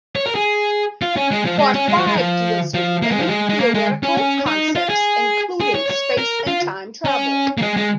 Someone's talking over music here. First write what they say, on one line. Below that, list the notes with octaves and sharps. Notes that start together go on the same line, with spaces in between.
Part Five deals with many theoretical concepts, including space and time travel.
C#5
A#4
G#4
F4
C#4
G#3
F3
G#3
C#4
G#3
F3
G#3
F3
F3
A#3
G#3
F3
G#3
G#3
A#3
G#3
C#4
C#4
D#4
F4
G#4
G#4
C#5
C#5
A#4
F4
C#4
A#3
G#3
G#3